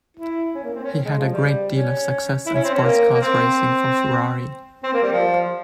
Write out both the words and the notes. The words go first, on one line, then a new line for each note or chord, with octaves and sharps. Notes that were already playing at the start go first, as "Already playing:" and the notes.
He had a great deal of success in Sports Cars racing for Ferrari.
E4
C#4
A#3
C4
C#4
G#3
F3
G3
C#4
E4
C#4
C4
C#4
A#3
A#3
C4
C4
A#3
G3
F3